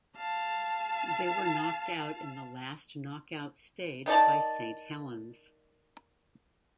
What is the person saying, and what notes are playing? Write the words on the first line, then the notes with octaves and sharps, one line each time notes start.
They were knocked out in the last knock-out stage by Saint Helens.
F5 A5
D#3 D#4 D5 A5